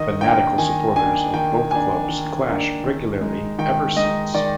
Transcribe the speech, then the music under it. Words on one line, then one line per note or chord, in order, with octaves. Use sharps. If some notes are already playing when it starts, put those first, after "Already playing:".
Fanatical supporters of both clubs clash regularly ever since.
Already playing: D#3 D#5
A#3 D4 G5
D#3 G#5
A#3 D4 G#5
D#3 G5
A#3 D4 G#5
D#3
A#3 D4
D#3
G#3 D#4
D#3 G5
G#3 D#4 D#5
D#3 D5